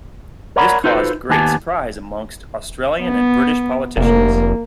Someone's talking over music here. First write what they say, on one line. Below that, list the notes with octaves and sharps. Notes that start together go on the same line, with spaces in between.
This caused great surprise amongst Australian and British politicians.
A#4 C#5 D5 F#5 A#5 B5
D#4 F4 F#4 A4 B4 C5
D#2 B3 D#4 G4 G#5 A5
B3
F1 A#3